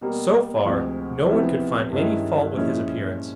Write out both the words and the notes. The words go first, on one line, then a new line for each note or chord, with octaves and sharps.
So far no one could find any fault with his appearance.
B2 G3 A#3
D2 C3 F3 G#3
C3 F3 G#3 B3 E4
G2 D#3 G#3 C#4 E4
A#2 F3 G#3 C#4 E4